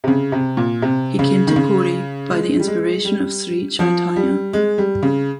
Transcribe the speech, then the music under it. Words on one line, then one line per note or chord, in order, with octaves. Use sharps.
He came to Puri by the inspiration of Sri Chaitanya.
C3
C#3
C3
A#2
C3
C#3
D#3
C#3
G#3
G3
G#3
G3
F3
G3
G#3
G3
C#3